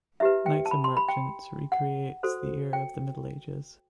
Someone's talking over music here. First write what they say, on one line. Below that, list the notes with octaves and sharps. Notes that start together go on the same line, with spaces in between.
Knights and Merchants recreates the era of the Middle Ages.
E4 G4 B4 E5
G5
A5
B5
C6
B5
G5
F#5
F#4 A4 C5
G5